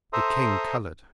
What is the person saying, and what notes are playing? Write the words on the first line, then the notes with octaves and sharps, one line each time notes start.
The king colored.
A4 C5 E5 A#5 C6 D#6